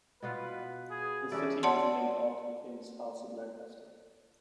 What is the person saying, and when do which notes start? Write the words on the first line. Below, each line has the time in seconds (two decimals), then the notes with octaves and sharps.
The city was named after the famous House of Lancaster.
0.23 B2 B3 F4 B4
0.90 G#4
1.32 E3 C#4 G#4 A4 D5
1.63 C#5 D5 F#5 A5 C6